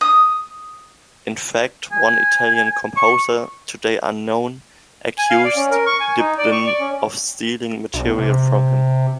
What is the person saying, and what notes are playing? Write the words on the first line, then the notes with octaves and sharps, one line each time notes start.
In fact, one Italian composer, today unknown, accused Dibdin of stealing material from him.
D#6
G#5
C#6
G#5
F5
D5
C#4
A#4
C#6
G#5
D#4
D5
C#6
D5
C#4
B1
C3